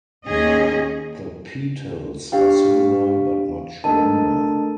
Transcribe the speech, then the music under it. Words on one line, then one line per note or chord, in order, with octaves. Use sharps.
The petals are similar but much longer.
D#2 C#4 G#4 D#5
D4 G4 F5 G5
A3 D4 A4 A#4 D#5 A5